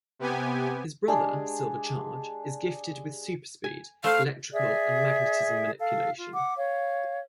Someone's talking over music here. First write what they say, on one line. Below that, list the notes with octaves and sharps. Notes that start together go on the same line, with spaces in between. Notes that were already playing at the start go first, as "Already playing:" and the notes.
His brother, Silver Charge, is gifted with super speed, electrical and magnetism manipulation.
C3 B3 G4 G#5
G#3 D4 G4 G#4
G#5
A3 C5 F5
G#4 D5 E5
A4 F5
F4
F#5 D6
C#5 F5